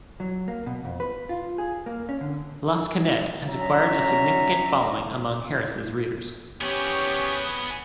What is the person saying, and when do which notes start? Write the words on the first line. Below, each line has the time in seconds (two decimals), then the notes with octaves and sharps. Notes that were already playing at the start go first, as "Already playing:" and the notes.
Lansquenet has acquired a significant following among Harris' readers.
0.20 F#3
0.48 A#3
0.66 B2
0.85 F2
1.00 B4
1.29 F4
1.58 G#4
1.86 A#3
2.09 C#4
2.21 D3
3.48 F#3 C#4 D4 E5 A#5
6.61 B3 C#4 G4 G#4 C#5